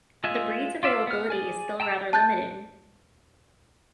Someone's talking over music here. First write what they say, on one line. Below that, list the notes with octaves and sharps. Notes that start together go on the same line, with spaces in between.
The breed's availability is still rather limited.
G#3 F4 D#5 E5 G#5
F4 D5 E5 F5
B3 F6
G#4 D5 G#5
G5 A5 A#5 E6
A5 F#6 G6 A6